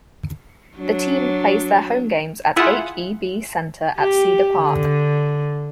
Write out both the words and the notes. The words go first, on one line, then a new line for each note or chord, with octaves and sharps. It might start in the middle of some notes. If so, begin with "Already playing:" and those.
The team plays their home games at H-E-B Center at Cedar Park.
F#3 D4
E4 F4 G#4 E5 F#5
G4
D3